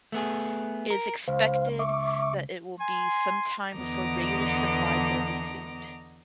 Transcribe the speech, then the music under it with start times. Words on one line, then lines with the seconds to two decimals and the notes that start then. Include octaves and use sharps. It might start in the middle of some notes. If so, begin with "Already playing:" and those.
It is expected that it will be some time before regular supplies are resumed.
0.12 A3 B3 G#4
0.90 A#4
1.28 C#2 C5 F5
1.79 E5 C#6 D6
2.80 G#5 C6
3.76 E2 D3 B3 D#5 A#5 D6